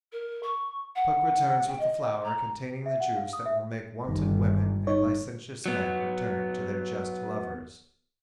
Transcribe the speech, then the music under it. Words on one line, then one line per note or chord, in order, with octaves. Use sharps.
Puck returns with the flower containing the juice that will make wanton women and licentious men return to their just lovers.
A#4
C#6
F#5
G5
D#5
A#5
E5
F#5
F5
D#6
E5
G1 D#3
D#4 C#5
F#3 B3